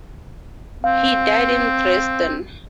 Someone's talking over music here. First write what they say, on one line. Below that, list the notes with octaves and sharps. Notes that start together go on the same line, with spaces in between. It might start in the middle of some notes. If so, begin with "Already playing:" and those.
He died in Dresden.
C4 F5